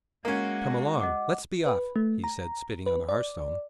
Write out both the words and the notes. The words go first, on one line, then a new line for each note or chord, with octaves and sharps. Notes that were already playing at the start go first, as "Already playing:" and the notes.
"Come along, let's be off," he said, spitting on the hearthstone.
G#3 A#3 C#4 F#4
D#5 F#5 D6
B4
A3
A#5
B4
D5